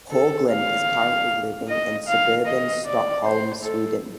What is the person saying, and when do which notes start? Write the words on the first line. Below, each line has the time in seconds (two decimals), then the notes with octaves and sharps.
Haugland is currently living in suburban Stockholm, Sweden.
0.11 A4
0.50 F5
1.68 D#5
2.07 F5
2.46 D#5
2.86 D5
3.25 C5
3.63 A4